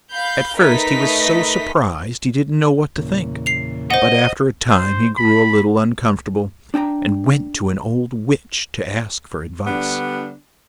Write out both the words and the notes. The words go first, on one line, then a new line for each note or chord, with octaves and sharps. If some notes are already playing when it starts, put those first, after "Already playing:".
At first he was so surprised he didn't know what to think, but after a time he grew a little uncomfortable, and went to an old witch to ask for advice.
F5 B5 G6
A3 D#4 A#4 B4 D#5 B6
E2 A#2 C#3
C7 F7
C5 D#5 F#5
C5
B5
D4 G5 A5 A#5
D3 G3 B3 D4